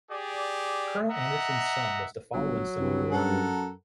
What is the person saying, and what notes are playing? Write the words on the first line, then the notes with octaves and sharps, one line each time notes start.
Colonel Anderson's son was to follow in similar work.
G4 G#4 D5
D#5 E5 F#5 A#5
G1 F#3
C2 G2
F#2 A4 A#4 F#5